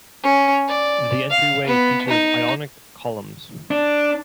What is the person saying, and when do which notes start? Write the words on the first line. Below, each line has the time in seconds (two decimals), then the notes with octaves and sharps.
The entryway features ionic columns.
0.23 C#4
0.69 D5
1.30 F5
1.67 B3
2.08 D#4
3.71 D4